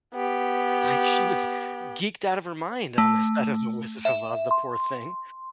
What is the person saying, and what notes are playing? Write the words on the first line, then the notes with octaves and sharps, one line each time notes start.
like, she was geeked out of her mind on the set of The Wizard of Oz, the poor thing.
B3 G4
A3
E5
C6